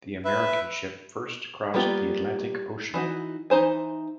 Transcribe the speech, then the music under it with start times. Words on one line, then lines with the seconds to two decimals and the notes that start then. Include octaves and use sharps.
The American ship first crossed the Atlantic Ocean.
0.25 B4 E5
1.74 G3 A#3 B3 F4 G4
2.94 E3 D#4 F#4
3.50 E3 D#4 C5 G#5